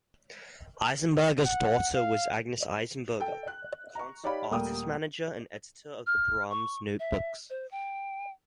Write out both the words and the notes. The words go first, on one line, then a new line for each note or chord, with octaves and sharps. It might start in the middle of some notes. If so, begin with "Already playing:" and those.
Eisenberger's daughter was Agnes Eisenberger, concert artist manager, and editor of "The Brahms Notebooks".
F#5
F5
A4 G5
F#6
A#5 C#6
D#4 G4 C#5 D5 F5 B5
D#1 G3 A3 A#3 G5 D#6
F6
C#6
E5
C5
G5